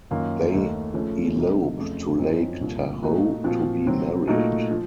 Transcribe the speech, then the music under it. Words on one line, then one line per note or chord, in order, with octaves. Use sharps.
They elope to Lake Tahoe to be married.
F#2 D#3 A#3 F4
D#2 D#3 A3 D#4
C#3 F3 A3 C#4
C3 F#3 A3 D#4
F2 C#3 A3
F#2 F3 C4 D#4
C2 A#2 F3
A#2 A3 D#4 F#4
A#2 F3 C4 F#4
C3 F#3 C4
A#2 A3 D#4 F#4
F3